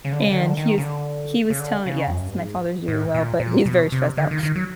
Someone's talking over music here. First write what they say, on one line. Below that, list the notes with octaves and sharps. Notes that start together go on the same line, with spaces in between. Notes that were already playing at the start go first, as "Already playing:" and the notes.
and he is he was telling Yes, my father is doing well, but he's very stressed out.
C#3
D3
C#3
D3
D#3
D3
D#3
C#3
D3
C#3
D3
C#3
F2
F#2
G2
G#2
A2
A#2
A#2
B2
C3
D3
D#3
D#3
F#3